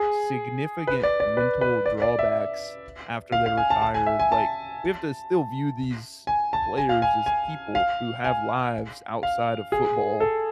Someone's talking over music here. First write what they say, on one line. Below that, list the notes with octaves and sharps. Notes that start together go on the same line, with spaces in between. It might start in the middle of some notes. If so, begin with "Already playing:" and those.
significant mental drawbacks after they retired, like, we have to still view these players as people who have lives outside of football,
Already playing: G#4
B4
D5
D5
B4
B4
D5
D5
E5
F5
F5
G#5
A5
A5
G#5
E5
G#5
A5
G#5
A5
G#5
F5
G#5
G#5
F5
G#5
F5
G#4
A4